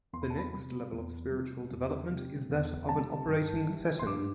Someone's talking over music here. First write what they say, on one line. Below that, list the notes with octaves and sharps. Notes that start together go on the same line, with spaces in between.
The next level of spiritual development is that of an Operating Thetan.
E2 C6
B5
A5
B5
C3 G3 B5
E2
C3 G3
E2
C3 G3
E2
C3 G3 A5
G2
E3 G3
C6
G2 D6